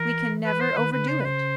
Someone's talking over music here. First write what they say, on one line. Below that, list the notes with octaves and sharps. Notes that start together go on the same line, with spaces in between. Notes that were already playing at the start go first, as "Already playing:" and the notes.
We can never overdo it.
Already playing: E3 A#4
B4
C5
D#3 B4
D3 B4
C#3 C5
B4
C5